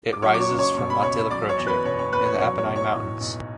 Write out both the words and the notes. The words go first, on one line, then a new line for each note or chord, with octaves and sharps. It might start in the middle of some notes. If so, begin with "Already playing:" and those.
It rises from Monte la Croce in the Apennine Mountains.
D6
F#3 C#5 C#6
D6
C#5 C#6
C#2
C#5 C#6
B2 C#6
B5
C#2 C#5 C#6
F#3 D5 D6
C#5 C#6
E2
B4 B5
B2 C#5 C#6
C#5 C#6
E2 B4 B5
C#5 C#6
F#3 C#5 C#6
C#5 C#6
B1
C#5 C#6
A2
B1